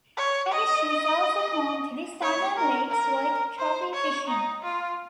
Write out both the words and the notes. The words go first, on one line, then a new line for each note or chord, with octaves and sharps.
Tagish is also home to the Southern Lakes with trophy fishing.
C#5
D#5
C#5
A#4
A#4
C5
C#5
D#4
F4